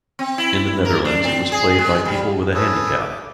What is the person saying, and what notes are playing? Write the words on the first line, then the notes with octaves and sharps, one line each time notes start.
In the Netherlands it was played by people with a handicap.
C4
E4
A#4
D4
C4
G#4
G#3
G3
G#4 A4 B4 C#5
D6